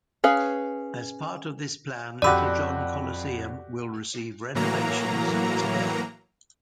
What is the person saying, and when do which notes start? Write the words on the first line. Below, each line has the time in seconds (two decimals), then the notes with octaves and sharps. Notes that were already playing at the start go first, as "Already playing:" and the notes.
As a part of this plan, Littlejohn Coliseum will receive renovations yet again.
0.24 C#4 G#4 B4 F5
2.22 F2 F#4 G4 D5 B5 D6 E6
4.55 A2 E3 F#3 A#3 A#5